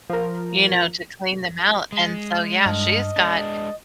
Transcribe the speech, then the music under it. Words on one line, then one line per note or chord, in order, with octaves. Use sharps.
you know, to clean them out. And so, yeah, she's got
F3 A#4
G#3
G2 D#5 A5 F6
G#3 D4 A6